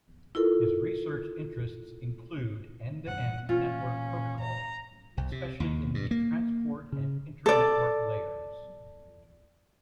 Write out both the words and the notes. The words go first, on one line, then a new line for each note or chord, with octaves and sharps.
His research interests include end-to-end network protocols, especially in the transport and internetwork layers.
E4 F4 A4 A#4
E1 G2 F#5
A#2 E3 A3 C#4 F4
A#5
C2
C3
D#2
G2
A#3
C#3
A4 D5